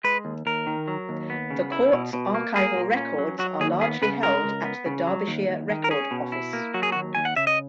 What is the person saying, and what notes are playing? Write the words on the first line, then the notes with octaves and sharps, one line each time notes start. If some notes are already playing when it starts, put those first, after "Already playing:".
The Courts' archival records are largely held at the Derbyshire Record Office.
G#3 B4
D#2
D#2 A#4
D#3
F#3
D#2
B3
C#3
E4
B2
B2
A#3
A#3 G#4
A#2
C#4
F#3
F#3 F#4
D#2 G#4
B3 G#4
C#3 B4
G#3 A#4
C#2
B3
C#3
F#3
D#2
D#2
D#3
A#4
C#4 G#4
B2
E4
A#3
F#3 F#4
G#4
F#4
D#2
D#2 G#5
F#5
C#3 E5
D#5